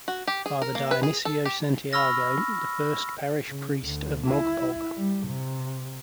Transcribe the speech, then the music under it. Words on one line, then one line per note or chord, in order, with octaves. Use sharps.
Father Dionisio Santiago the first parish priest of mogpog.
F#4
G4
G#4
A#4
A#3
B4
G#4
A4
G4
B5 C#6 E6 F6 A#6
C#3
D2
E4
G3
C3